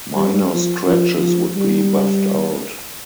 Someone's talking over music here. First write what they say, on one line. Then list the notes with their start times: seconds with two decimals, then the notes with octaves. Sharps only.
Minor scratches would be buffed out.
0.15 G3
0.51 F3
0.87 F3
1.21 F3
1.56 G3